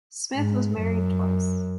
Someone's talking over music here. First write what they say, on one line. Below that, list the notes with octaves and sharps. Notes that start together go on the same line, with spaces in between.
Smith was married twice.
G#2
F#2